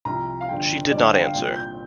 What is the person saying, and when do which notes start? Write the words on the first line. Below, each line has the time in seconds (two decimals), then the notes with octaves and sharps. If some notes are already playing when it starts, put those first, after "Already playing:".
She did not answer.
0.05 C2 C3 F3 A#5
0.41 F5
0.49 G1 G2 F3 G5
0.91 G1 G2 G3 D5
1.02 F5
1.13 G5
1.23 F5
1.34 C2 A#2 G3 G5
1.56 G6